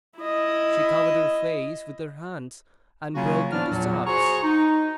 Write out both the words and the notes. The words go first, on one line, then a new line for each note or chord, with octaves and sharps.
She covered her face with her hands, and broke into sobs.
E4 D#5
C#3 F#3 A#3 C#4 F4 F#4
A2 F3 B3 D4 D5 F6
E2 A#2 F#3
F#4 G#4 C5 A#5 C#6
D#4